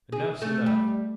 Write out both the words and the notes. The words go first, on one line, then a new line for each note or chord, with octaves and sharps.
Enough's enough.
G#4
A3
G3